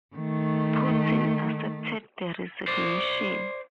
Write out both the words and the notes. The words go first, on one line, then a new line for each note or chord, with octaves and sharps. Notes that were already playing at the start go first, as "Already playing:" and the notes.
Putin accepted the resignation.
D#3 A3
C5 D5